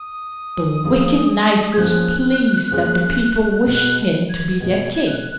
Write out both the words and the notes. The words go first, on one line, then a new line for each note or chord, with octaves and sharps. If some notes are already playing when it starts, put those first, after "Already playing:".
The wicked knight was pleased that the people wished him to be their king.
Already playing: D#6
F3 A#3 C#4 G#4
G#6
F3 A#3 C#4 G#4 F#6
F3 A#3 C#4 G#4
B2 G#3 B3 F#6
G#6
B2 G#3 B3 G#6
F#6